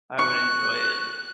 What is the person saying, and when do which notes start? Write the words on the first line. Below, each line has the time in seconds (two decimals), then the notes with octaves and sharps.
I would enjoy it.
0.19 C#6 F#6